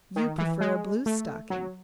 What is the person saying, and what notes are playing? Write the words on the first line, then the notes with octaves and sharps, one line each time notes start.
"You prefer a bluestocking."
D#3
E3
G#3
A3
F#3